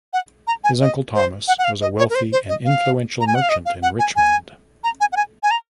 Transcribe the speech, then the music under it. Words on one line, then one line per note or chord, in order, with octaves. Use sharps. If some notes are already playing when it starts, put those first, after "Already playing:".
His uncle Thomas was a wealthy and influential merchant in Richmond.
F#5
A#5
G#5
D#5
C5
F#5
F#5
F5
D#5
C#5
A#4
C5
C5
D#5
F5
A#5
G#5
F#5
F5
D#5
F5
F#5
G#5
G#5
A#5
G#5
F#5
G#5
G#5
A#5